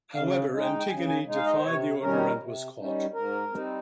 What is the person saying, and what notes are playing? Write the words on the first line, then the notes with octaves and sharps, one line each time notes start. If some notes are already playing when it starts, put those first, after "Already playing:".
However, Antigone defied the order and was caught.
C#3 F5
G#3 D#4
G5
G5
C#3 G#5
G#5
G#3 D#4
F5
D#5
C5
C3 C#5
D#3 G3 C#4 A#4
C3
D#3 G3 C#4
G#2 A#4
G3 C4 D#4